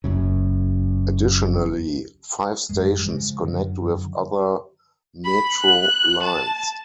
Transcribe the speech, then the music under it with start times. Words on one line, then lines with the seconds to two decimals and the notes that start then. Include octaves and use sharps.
Additionally, five stations connect with other metro lines.
0.04 F#1 F#2 C#3
2.69 G#1 F#2 G#3
3.04 C#3 F3 G#3
3.44 F#2 D3 F3 F#3
5.25 B5
5.58 F#6
6.23 A5